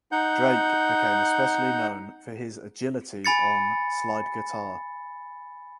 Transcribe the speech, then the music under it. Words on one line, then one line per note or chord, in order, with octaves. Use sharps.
Drake became especially known for his agility on slide guitar.
D#4 F#5 G6
G#5 B5 A6 C#7